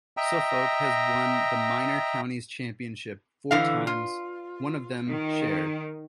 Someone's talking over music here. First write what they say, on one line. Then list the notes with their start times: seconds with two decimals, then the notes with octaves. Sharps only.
Suffolk has won the Minor Counties Championship four times, one of them shared.
0.17 D#5 E5 G5 A#5
3.51 D3 E3 F5
3.87 F4
5.08 D#3